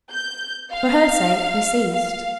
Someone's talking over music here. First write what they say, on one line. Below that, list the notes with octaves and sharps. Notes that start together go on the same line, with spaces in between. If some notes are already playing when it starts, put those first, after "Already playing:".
For her sake he ceased.
G6
F5
F5